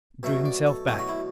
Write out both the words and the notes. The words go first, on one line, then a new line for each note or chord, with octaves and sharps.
Drew himself back.
B2 F#3 A3 E5
D5
A4
E2 B2 F#3 A3 A4
F#4
E4